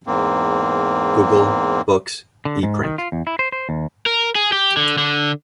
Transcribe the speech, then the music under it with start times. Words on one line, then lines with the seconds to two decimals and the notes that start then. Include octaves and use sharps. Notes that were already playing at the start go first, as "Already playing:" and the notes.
"Google Books" Eprint.
0.07 E2 G#2 A#3 C4
2.45 D3
2.63 G#2
2.84 D#3
2.98 F4
3.12 E2
3.27 E4
3.39 C5
3.52 C5
3.69 D#2
4.06 A#4
4.35 G#4
4.52 G4
4.77 D3
4.98 D3